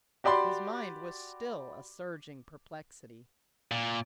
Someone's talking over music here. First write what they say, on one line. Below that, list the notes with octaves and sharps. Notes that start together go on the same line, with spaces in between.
His mind was still a surging perplexity.
F#4 G4 D5 B5 C6
A#2